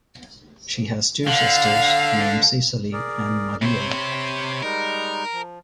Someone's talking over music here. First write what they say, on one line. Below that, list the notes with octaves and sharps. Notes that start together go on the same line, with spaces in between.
She has two sisters, named Cisely and Mariel.
D3 F5
G#4 A#4 D5
C3 C5 C#5 B5
G3 G#3 D#4 A#4
F3